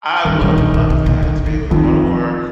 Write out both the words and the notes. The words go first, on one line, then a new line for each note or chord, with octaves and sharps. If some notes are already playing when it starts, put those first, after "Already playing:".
I will love that to be able to go to work,
G2 D#3
D3
A#2
D#3
A#2
A#2
C3
A#2
D3
D#3
F2 D#3 F3